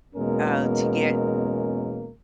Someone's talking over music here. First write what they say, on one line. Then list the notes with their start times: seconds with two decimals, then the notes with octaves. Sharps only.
uh, to get,
0.15 E2 B2 G#3 A#3 C#4 A#4